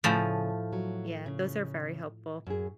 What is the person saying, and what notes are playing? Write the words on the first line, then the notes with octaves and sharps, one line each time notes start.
Yeah. Those are very helpful,
A2 C#3 F3 G#5
F#3
C#3
F#2 G#4